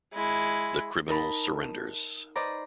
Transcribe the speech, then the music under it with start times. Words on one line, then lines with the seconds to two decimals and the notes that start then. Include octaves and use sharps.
The criminal surrenders.
0.14 G#3 E4
1.08 D#4 A#4 A5 B5
2.36 B4 C5 D5 D#5 A#5